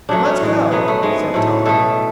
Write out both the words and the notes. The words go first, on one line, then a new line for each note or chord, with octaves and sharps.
"Then let's go," said Tom.
C#3 F#3 A3 D4
C#4
A2 E3 G#3
B2 F#3 A3 B3
A3
G#2 G#3 B3
A2 F#3 A3
B2 A3 A4